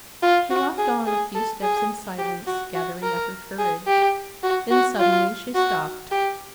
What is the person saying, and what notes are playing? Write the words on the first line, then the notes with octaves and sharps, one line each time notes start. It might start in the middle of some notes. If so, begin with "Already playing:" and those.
She walked on a few steps in silence, gathering up her courage; then suddenly she stopped.
F4
F#4
G#4
G#4
A4
G#4
G4
F#4
F#4
A#4
G#4
G4
F#4
F#4
F4
F#4
G4